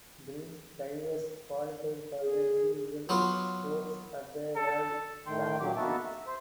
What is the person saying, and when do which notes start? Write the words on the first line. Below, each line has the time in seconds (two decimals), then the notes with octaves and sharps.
Greek divers qualified for the individual spots at the World Championships.
2.22 G#4
3.09 F#3 B3 F4
4.56 A4
5.27 A2 D#3 G5 C6
5.60 A#2 F#3 G4 D6
5.77 A#3 B3 D#4 F#4 E5 A5
6.05 E5
6.27 C5